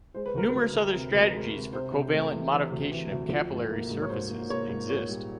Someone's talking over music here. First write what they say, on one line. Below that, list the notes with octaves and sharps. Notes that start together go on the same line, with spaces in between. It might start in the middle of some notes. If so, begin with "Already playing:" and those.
Numerous other strategies for covalent modification of capillary surfaces exist.
G#3 C5
B4
D2 A#4
B4
D2
D2
C3
D2
G#3
C3
C3 C5
C3
A3
E3
E3
D2
E3
D2
F3
G#2
A#3
G#2
C#5
G#2 C5
A#3
A#3 C#5
G#2
A#2 C#5
G3